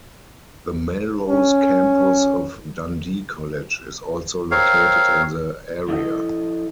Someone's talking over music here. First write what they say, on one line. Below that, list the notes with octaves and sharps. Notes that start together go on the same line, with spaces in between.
The Melrose Campus of Dundee College is also located in the area.
C#4
C4 A#4 C#5 F5
F3 E4 A4 D#5